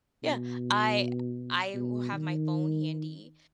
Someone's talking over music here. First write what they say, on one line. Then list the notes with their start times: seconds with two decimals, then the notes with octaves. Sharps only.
yeah, I I will have my phone handy,
0.23 B2
1.74 B2
2.13 D#3